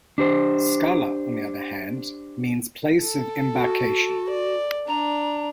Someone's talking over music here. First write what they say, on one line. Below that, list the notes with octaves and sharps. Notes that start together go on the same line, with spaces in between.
Skala, on the other hand, means place of embarkation.
D4 G4 C5
A4
F#4
D5
D4 A#5